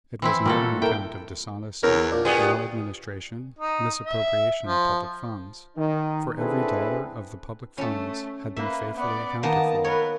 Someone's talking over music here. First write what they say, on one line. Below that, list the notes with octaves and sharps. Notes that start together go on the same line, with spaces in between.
It was not on account of dishonesty, maladministration, misappropriation of public funds; for every dollar of the public funds had been faithfully accounted for.
E3 C4 E4
A#2 G3 A#3 F#4 A4
E4 A4 A#4 G5
E2 A#4 C#5
A#2 D4
G2 B3 G#4
D#4
E5
F3
D#3 D#4
C4 D4 E4 G#4 A4 B4
A3 C#4 A4
A#3 B4 E5
B3 D5
D#3 A#3 B3 A5 A#5
A#4 B4 C#5